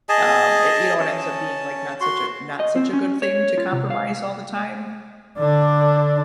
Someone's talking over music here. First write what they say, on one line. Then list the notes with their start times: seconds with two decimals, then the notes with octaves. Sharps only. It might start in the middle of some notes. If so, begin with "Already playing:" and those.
um, it you know, it ends up being, like, not such a not such a good thing to compromise all the time.
0.09 G#4 D#5 G#5 A5
1.00 C#4 A5
2.01 F#4 C6
2.60 D#5
2.76 C4
2.93 C#4
3.22 C#5
3.58 F4
3.73 C3
3.90 F5
5.38 D3 D4